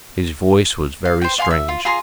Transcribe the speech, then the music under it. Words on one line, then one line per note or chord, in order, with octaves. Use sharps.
His voice was very strange.
F5
C5 G5
D5 F5 G#5 C6
E5
F4
F4 G#4 A#5 C6